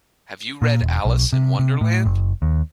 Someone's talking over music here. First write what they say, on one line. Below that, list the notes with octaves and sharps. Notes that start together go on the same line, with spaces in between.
Have you read Alice in Wonderland?
A#2
E1
B1
C3
C3
A2
F#1
D#2